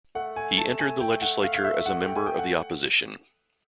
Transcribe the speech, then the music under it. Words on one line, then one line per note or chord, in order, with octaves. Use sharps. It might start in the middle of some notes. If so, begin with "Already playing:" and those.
He entered the legislature as a member of the opposition.
A3 F#5
G#5
A5
G#5
G5
F#5
F5
F5
E5
F#5
G5
G#5
G5
F#5